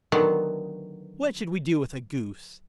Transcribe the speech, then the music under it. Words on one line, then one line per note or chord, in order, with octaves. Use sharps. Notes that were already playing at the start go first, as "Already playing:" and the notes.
What should we do with a goose?
D3 D#3 F#3 A3 B3